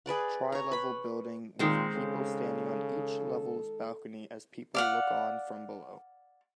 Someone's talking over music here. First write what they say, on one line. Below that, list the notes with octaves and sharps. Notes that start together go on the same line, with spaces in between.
Trilevel building with people standing on each level 's balcony as people look on from below.
G#4 B4 D5 F#5
C#5 A#5
B4 B5
A#2 D#3 G#3 C4
C#3 A4
D5 F5 F#5